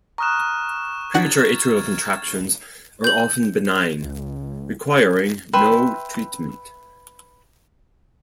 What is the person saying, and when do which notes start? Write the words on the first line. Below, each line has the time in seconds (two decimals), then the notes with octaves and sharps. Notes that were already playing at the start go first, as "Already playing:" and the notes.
Premature atrial contractions are often benign, requiring no treatment.
0.18 A#5 C#6 D#6 F6 F#6 E7
1.14 D4 F#4 F#5 G#6 A6
3.04 G6 F#7
4.04 C#2
5.53 B4 E5 G5 C6